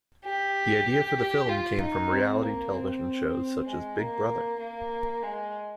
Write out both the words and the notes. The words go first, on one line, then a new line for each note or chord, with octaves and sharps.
The idea for the film came from reality television shows such as "Big Brother".
G4
G4
F4
D#4
C4
A#3
C4
G#3
A#3
A#3
G#3